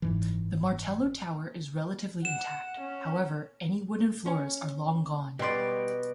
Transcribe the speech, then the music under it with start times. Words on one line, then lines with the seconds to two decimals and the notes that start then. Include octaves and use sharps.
The martello tower is relatively intact however any wooden floors are long gone.
0.02 F#1 G#2 E3
2.25 F#5 E7
2.80 C#4
4.26 C#4 G#5
5.39 B2 G3 D5 C6